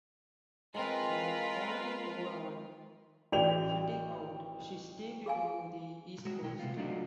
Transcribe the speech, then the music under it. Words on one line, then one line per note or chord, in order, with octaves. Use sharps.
Then, following overhaul and fitting out, she steamed to the east coast.
G#3 C4 F4 A#4 B4
A1 F#4 G#4 D5 G5 F7
G#4 F5 G#5
G#3 F#4
B1 E4 G5
C3 G#3 B3 F4
F#3 A3 D4 D#4 F4 F#4